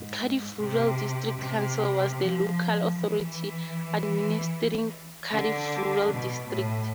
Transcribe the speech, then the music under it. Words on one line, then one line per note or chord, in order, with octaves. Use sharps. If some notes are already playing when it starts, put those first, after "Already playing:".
Cardiff Rural District Council was the local authority administering Cardiff Rural District.
Already playing: G#2
C3
C3
F3
E3
D3
B2
A2